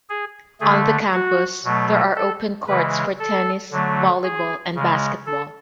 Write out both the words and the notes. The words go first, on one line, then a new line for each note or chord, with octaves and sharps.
On the Campus there are open courts for tennis, volleyball and basketball.
G#4
D3 A3 G#4
F#4
B2 F#3 A3
A4
C#3 E3 G#3 B4
A4
D3 F#3 A3
G#4
C#3 G#3
A4